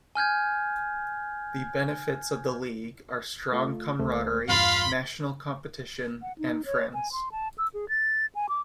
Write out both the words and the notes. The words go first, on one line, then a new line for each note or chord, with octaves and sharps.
The benefits of the league are strong camaraderie, national competition and friends.
G#5 F6 G6 G#6
A3 F4
D2 A3 C5
E2 G2 F4 F5 B5 C6 A6
F#5
D#4
C#5
G#5
C6
A5
E6
G#4
A6
G#5
D6